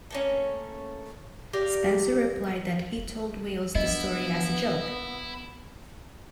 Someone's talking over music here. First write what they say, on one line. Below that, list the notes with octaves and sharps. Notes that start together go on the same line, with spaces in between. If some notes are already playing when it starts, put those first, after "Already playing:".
Spencer replied that he told Wales the story as a joke.
A3 A#3 C#4
G4 A#4 D5 F5
B3 D4 E4 D#5